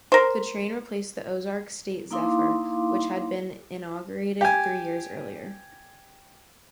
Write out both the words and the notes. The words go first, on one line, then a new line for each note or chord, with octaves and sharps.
The train replaced the "Ozark State Zephyr", which had been inaugurated three years earlier.
A#4 C5
A#3 D#4 E4 F5 C6 D6
G4 G#5